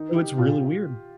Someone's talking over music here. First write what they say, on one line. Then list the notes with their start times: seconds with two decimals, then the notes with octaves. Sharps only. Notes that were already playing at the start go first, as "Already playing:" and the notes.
So it's really weird.
Already playing: D#3 D#4
0.15 G4
0.37 A#2 F4